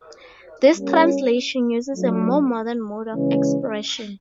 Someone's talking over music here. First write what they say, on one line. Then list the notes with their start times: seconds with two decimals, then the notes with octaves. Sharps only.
This translation uses a more modern mode of expression.
0.76 G3 A#3 C#4
1.95 F#3 A3 D4 F4
3.14 C#3 E3 G#3 C#4